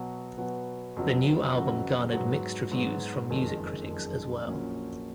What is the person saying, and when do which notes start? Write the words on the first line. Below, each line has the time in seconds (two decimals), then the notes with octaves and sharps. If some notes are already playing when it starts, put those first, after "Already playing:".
The new album garnered mixed reviews from music critics as well.
Already playing: B2 F#3 B3 F#4
0.37 B2 F#3 B3 F#4
0.97 F2 C#3 F#3 B3 F#4
1.54 F2 C#3 F#3 B3 F#4
2.12 G#2 F#3 B3 F#4
2.71 G#2 F#3 B3 F#4
3.30 F#1 F2 D#3 G#3
3.89 F#1 F2 D#3 G#3
4.47 A#1 A#2 F#3 C#4